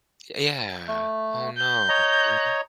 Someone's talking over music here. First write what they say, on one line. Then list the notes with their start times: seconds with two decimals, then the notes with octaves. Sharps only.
Yeah. Oh, no, really?
0.88 A3
1.57 G6
1.89 C#5 D#5 A#5